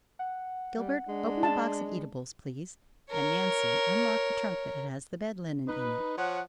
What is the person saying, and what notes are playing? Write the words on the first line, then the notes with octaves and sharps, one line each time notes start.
Gilbert, open the box of eatables, please; and, Nancy, unlock the trunk that has the bed linen in it.
F#5
G3
G#3 D4
A5
A#4 C#5
D#4 B4
F3 C#5 F#5